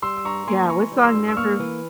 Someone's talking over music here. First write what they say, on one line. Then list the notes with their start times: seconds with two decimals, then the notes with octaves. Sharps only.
Yeah, what song never
0.02 G3 C6 E6
0.17 E6
0.24 G2 A#5 C#6
0.47 A#3 G#5 C6
0.69 E3 A#5 C#6
0.92 G3
1.03 C6 E6
1.14 G2
1.28 E6
1.37 A#3 C#6 F6
1.59 E3